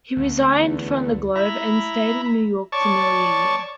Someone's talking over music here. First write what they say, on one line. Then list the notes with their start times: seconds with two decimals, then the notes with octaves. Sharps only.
He resigned from "The Globe" and stayed in New York for nearly a year.
0.16 D2
0.60 E2
1.35 E4 A#5 B5
2.72 C#5 D5 A5 C#6